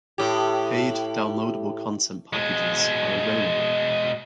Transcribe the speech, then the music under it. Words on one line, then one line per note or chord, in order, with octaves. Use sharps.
Paid downloadable content packages are available.
A2 G4
B2 G#3